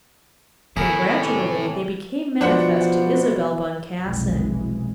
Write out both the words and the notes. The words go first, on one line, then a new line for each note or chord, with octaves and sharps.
And gradually they became manifest to Isabel Boncassen.
A2 D#3 B3 E4 G#4 A#4
C3 E3 C#4
B2 F3 D4 C5 F#5
F1 B1 E3 G#3